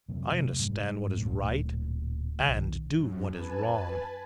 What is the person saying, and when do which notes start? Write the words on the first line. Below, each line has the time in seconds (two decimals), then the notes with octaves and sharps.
I understand what is right and do what is wrong.
0.09 F#2 C3 A3
0.59 G#2 G3
1.17 D1 A#2 A3
2.39 B1 D#3
2.95 F#2
3.35 B4 G#5 A5